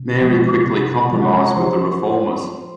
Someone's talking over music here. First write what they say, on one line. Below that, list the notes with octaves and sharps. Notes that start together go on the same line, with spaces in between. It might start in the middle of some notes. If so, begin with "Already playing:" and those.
Mary quickly compromised with the reformers.
Already playing: C3
F3 G#3
C3
F3 G#3
F#5
G#5
A#5
F3 C5 C6